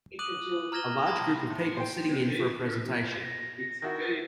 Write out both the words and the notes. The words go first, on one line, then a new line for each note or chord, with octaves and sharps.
A large group of people sitting in for a presentation.
D6 D#6 F#6 D#7 F#7
A#5 F6 G#6 A#6 E7 G7
A5 B5 C6 D#6 G#6 A#6
A2
C5 G5
A#6
D#3 E4 F#4